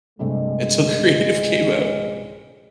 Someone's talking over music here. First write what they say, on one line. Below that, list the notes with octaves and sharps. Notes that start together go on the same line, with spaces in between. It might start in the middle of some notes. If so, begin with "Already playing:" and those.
until Creative came out.
A#1 G2 C3 G#3 A3